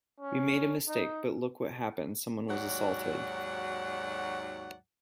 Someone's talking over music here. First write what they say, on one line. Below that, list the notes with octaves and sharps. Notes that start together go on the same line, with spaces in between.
We made a mistake but look what happened someone was assaulted.
C#4
D#4
D#2 G#2 F#3 F#4 D5 F#5